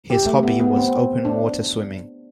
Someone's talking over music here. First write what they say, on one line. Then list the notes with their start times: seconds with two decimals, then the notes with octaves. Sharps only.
His hobby was open-water swimming.
0.10 G4
0.26 A3
0.43 B3
0.60 B3
0.76 C4
1.25 D4